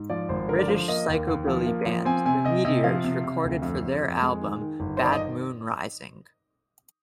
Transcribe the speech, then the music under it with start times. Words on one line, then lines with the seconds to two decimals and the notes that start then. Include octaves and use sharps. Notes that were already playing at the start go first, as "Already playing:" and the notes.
British Psychobilly band The Meteors recorded for their album "Bad Moon Rising".
Already playing: G#2
0.10 F3 D5
0.29 G#1 C5
0.48 D3 A#4
0.59 D5
0.68 F3 C5
0.88 A#3 D#5
1.08 D#2
1.28 D#2
1.47 F3
1.66 A#3
1.86 F3
2.05 C4 G#5
2.25 C3 G#5
2.44 C3 D#5
2.65 C3 D#5
2.84 F3 F5
3.04 C3
3.24 C3
3.43 D2
3.62 F2
3.82 F2
4.02 F2
4.21 G#3
4.41 D#3
4.61 D#3
4.80 G1
4.97 C5
5.00 D#3 D5
5.13 D#5